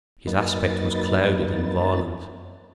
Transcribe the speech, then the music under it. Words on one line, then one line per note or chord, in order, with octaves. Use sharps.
His aspect was clouded and violent.
F#2 F#3 A#3 D#4 B4 A6